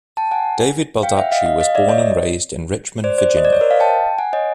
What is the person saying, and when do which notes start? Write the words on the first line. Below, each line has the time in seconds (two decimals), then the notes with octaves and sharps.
David Baldacci was born and raised in Richmond, Virginia.
0.17 G5 A5
0.31 F#5 G#5
1.03 F5 G5
1.17 E5 F#5
1.32 D#5 F5
1.46 D#5 F5
1.61 D#5 F5
1.75 D5 E5
1.89 C#5 D#5
3.04 C5 D5
3.18 C5 D5
3.37 D#5
3.45 D5
3.53 C#5
3.61 A#4 C5
3.71 D#5 F5
3.80 G5 A5
4.18 F#5 G#5
4.33 C#5 D#5